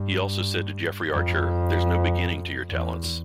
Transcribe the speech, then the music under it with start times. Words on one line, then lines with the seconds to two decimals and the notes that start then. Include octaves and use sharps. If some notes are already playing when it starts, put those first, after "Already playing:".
He also said to Jeffrey Archer, There's no beginning to your talents.
Already playing: G2
1.12 F2
2.70 E2